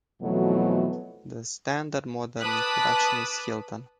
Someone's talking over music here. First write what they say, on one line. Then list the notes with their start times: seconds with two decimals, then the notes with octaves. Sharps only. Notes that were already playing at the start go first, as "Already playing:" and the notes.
The standard modern introduction is Hilton.
0.21 F2 B2 E3 F#3 A3
2.39 B4 A5 D6 D#6 F#6 B6